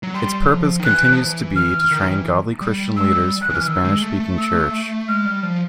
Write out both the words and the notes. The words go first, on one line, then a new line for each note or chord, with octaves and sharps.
Its purpose continues to be to train godly Christian leaders for the Spanish-speaking church.
F#3
G3 C6
F#3
F3
D#3
E3 F#6
F3
E3
E3 F6
D#3
E3
G3
G#3 E6
G3
F#6
E3
F6
E3
D#3 E6
G#3
A3
A3
E6
G#3 F6
G3
F3